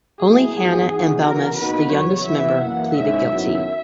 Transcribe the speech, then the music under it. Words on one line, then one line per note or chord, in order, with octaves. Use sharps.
Only Hannah and Belmas, the youngest member, pleaded guilty.
B2 F#3 A#3 E4 G#4
G#2 E3 B3 F#4
E3 B3 D#4 F#4
C#3 E3 B3 F#4 A#4
B2 A#3 D#4 F#4 B4
E2 C#3 F#3 C#5
E3 B3 E4 E5
F#2 E3 A#3 F#5
G#2 D#3 A#3 C#4 E4 E5
F#2 D#3 F#3 B3 E4 E5